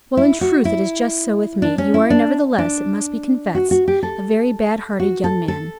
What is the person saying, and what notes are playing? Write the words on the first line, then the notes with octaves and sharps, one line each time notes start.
"Well! in truth, it is just so with me; you are, nevertheless, it must be confessed, a very bad-hearted young man."
E4
F#4
E4
D4
C#4
E4
D4
D4
F#4
F#4
G4
A4
F#4
A4
A4